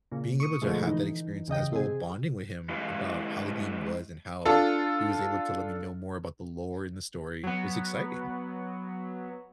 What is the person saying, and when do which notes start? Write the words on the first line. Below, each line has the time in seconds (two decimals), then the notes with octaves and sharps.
being able to have that experience as well bonding with him about how the game was and how he was able to let me know more about the lore and the story, was exciting.
0.12 A#2 C#3
0.40 C#6 D#6
0.62 B2 D3 F3 G#3 A3
0.83 E3 D#4
1.48 E2 C#3 D#5 G5
1.73 C3 G#4
2.69 G#3 E4 G4 B4 F5
4.45 D4 F4 A4
7.43 F#3 B3